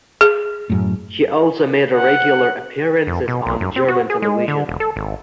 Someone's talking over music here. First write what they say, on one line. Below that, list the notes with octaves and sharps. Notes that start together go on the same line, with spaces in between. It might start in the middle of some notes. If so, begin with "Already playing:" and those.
He also made regular appearances on German television.
G#4
F#2 A2
F#5
F2
B2
B1
F#2
C4
F#4
G#4
G#3
D3
E1
A4
G#1